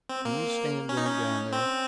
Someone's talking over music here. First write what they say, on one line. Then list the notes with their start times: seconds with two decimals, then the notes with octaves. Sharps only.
Can you stand going down there?
0.09 C4
0.25 A#3
0.89 C#4
0.97 D#4
1.06 C#4
1.53 C4